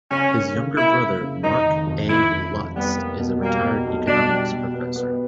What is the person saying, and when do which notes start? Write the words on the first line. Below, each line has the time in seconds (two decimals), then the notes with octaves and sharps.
His younger brother Mark A. Lutz is a retired economics professor.
0.11 C#3 C#4
0.33 A#3
0.56 C#3
0.77 A#3 E4
1.00 C#3
1.21 C#3
1.43 F1 D#4
1.66 D#3
1.87 F1
2.09 F1 E4
2.32 F1
2.54 F1
2.76 G3 B3
2.98 A#3
3.19 B2
3.42 G3 A#3
3.64 B2
3.86 B1
4.07 B2 D4
4.30 G3
4.52 B2
4.74 B3
4.96 B3